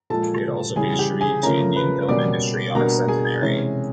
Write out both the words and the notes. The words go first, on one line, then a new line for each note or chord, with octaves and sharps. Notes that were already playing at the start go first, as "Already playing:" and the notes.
It also pays tribute to Indian film industry on its centenary.
A#2 F3 G#3 A4 A5
C#3 E3 G3 G#4 G#5
G4 G5
G#4 G#5
C#3 F3 A3 C#4 A#4 A#5
B4 B5
B2 G3 A#3 C#4 D5 D6
B2 G3 A#3 D4 A#4 A#5
G#4 G#5
C3 E3 G#3 C#4